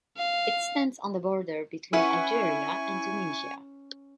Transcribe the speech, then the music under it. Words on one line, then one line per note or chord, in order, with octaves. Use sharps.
It stands on the border between Algeria and Tunisia.
F5
C#4 E4 B4 F#5 G#5 C#6